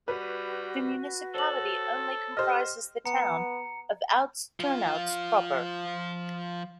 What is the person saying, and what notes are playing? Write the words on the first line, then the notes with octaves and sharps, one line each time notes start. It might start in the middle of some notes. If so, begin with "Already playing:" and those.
The municipality only comprises the town of Oud-Turnhout proper.
G3 F#4 B4
A4 C5 C#5 F#7
G4 C5 D#5 F6
B3 A#5 C#7
F3 F4